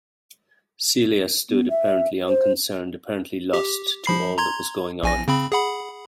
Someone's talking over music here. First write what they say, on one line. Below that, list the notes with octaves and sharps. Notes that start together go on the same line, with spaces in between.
Celia stood apparently unconcerned, apparently lost to all that was going on.
B3
E5
C5
G4
F3 B5 C7
A#5 C6 G#6
A#1 G#5 A#6
C#3 C4 B5
G#4 F#5 B5